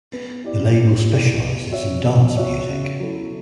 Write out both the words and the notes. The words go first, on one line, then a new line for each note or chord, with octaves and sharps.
The label specialises in dance music.
B3
E4 G4 D5
B3
E4 G4 D5
B3
F#4 C#5 E5
B3
F#4 C#5 E5
C#3
F#3 B3 E4 A4